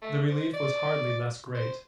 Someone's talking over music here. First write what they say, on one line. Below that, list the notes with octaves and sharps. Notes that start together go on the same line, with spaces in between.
The relief was hardly less great.
A3
C5
D5
C5